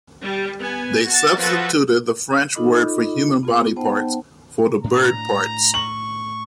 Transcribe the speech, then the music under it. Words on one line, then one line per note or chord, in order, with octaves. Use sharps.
They substituted the French word for human body parts for the bird parts.
G3
B3 G#5
F#4 A5
F3 F#4 A4 B4
D#4 F4 A4 D#5 B5 D6
B3 F4 G#4
B3 D#4 C5 F#5 G5 A5
A2 C#4 D4 A#5
C#6 F#7